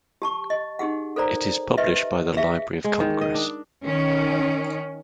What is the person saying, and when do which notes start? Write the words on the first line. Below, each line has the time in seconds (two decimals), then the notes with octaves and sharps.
It is published by the Library of Congress.
0.22 G4 A5 C#6
0.50 D#5
0.79 D#4 G4 G#4 F#5
1.16 A4 A#4 C5 D5 A#5
1.77 G4 B4 D#5 E5
2.37 G#4 E5 F5
2.84 G#3
3.00 D#3
3.21 D#5
3.34 D4
3.85 D#3 C#4